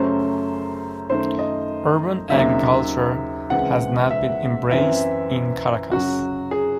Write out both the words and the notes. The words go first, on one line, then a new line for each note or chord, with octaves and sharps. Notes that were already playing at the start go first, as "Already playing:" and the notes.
Urban agriculture has not been embraced in Caracas.
Already playing: F#2 C#3 F#3 A3 C#4 C5
F#2 D#3 A3 C5
D#5
D#2 C#3 F#3 C4 D#4 E5
C#2 C#3 E3 C4 F#5
E5
F#2 E3 C4 E5
F#2 C#3 F#3 C#4 F#4
G#4